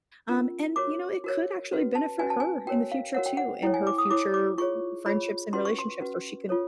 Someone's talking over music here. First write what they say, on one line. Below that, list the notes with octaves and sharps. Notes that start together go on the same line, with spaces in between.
um, and, you know, it could actually benefit her in the future too, in her future f friendships and relationships where she can
C#4 F4 A#4
F#4 A#4 C#5 D6
F#4 A#4 C#5
C#4 F#4 B4
A5
C#4 F#4 B4 G#5
A5
G#5
F#4 A#4 C#5 G5
F5
F#4 A#4 C#5 F#5
G5
F#5
E4 A4 C#5 G5
G#5
D6
D#6
E4 A4 C#5 D6
D6
F4 G#4 C#5 C#6
F4 G#4 C#5 B5
C#4 F#4 B4 C6
C#6
C6
C#4 F#4 B4
F4 A4 C#5